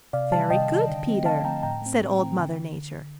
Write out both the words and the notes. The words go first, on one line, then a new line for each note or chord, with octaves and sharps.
"Very good, Peter," said Old Mother Nature.
C3 D5 F5
D#3 G3 F5 A5
C3 D#5 G5
D#3 G3
D3
F3 A3 C4
D3 F5 A5
F3 A3 C4 G5 A#5
A2 G5 A#5
A3 C4
A2
A3 C4
D3